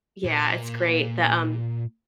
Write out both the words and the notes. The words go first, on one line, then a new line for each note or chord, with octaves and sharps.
Yeah, it's great. The, um,
A#2